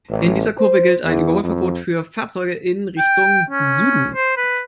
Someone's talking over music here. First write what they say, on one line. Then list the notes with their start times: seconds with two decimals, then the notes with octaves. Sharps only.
In dieser Kurve gilt ein Überholverbot für Fahrzeuge in Richtung Süden.
0.10 A1
0.59 C5
1.05 E2
1.43 F2
2.98 G5
3.50 C#4
4.15 C5
4.37 B4